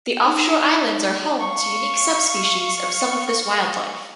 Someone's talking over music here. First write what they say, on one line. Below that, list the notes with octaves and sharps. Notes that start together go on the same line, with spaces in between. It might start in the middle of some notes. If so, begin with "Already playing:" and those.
The offshore islands are home to unique subspecies of some of this wildlife.
D#4
F5 C#6